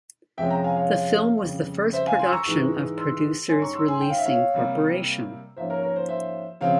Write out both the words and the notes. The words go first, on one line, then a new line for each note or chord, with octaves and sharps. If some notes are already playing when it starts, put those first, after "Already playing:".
The film was the first production of Producers Releasing Corporation.
F2 C3 F3 G#3 C#4 E5 G5
G5 A#5
F5 G#5
C#5 F5
F2 C#3 G3
C5 E5
F5 G#5
G#5 C6
E6
A#5 C#6
G#2 E3 G#3
C6 E6
G#2 G3 C#4 G#5 C6
A#5 C#6
C6 E6
G#5 C6
G5
F5
E5
C#5 F5
C3 G3 A#3
G#2 F3 A#3 C#4 C5 E5
A#4 C#5
A#4 C#5
C5
C5 E5
C#3 F3 C4 C#5 F5